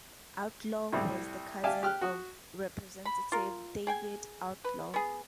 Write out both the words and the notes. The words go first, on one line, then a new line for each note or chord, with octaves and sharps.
Outlaw was the cousin of Representative David Outlaw.
C2 A2 C3 G3
G4 D5 E5 F5 G#5 A5
G4 F6 F#6
F#4 D#6
B5
F4 A#4
G#4 G5 G#5
B4
B3 G#4